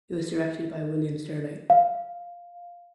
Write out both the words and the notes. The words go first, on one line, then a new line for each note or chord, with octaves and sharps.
It was directed by William Sterling.
F5